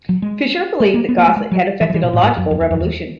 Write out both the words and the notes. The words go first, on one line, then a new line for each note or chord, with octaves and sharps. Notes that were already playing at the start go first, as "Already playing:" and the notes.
Fisher believed that Gosset had effected a "logical revolution".
F#3
G#3
A3
A#3
B3
A#3
A3
G#3
F#3
E3
F3
E3
B2
A2
G#2
F#2
F2
E2
F2
E2